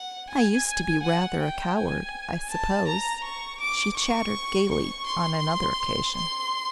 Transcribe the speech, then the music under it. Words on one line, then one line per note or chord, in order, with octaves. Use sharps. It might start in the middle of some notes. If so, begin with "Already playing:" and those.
"I used to be rather a coward, I suppose," she chattered gaily on another occasion.
Already playing: F#5
G#5
F#5
G5
G#5
A5
A#5
C#6
D6
C#6
C#6
C6
C6